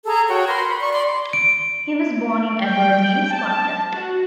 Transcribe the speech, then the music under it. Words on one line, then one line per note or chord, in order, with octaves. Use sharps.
He was born in Aberdeen, Scotland.
G#4 A4 A#5
F#4 C#5 G5
A#4 B4 C6
B5
D5 C#6
D5 C6
D7
G5
A5
F#4